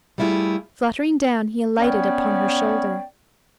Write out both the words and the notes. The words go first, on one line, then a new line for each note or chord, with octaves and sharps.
Fluttering down he alighted upon her shoulder.
G3 A3 E4 F4 G#4
B3 C#4 C#5 D5 G5